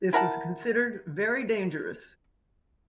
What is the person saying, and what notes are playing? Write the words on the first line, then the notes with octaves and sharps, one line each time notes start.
This was considered very dangerous.
E4 A#4 F#5 A5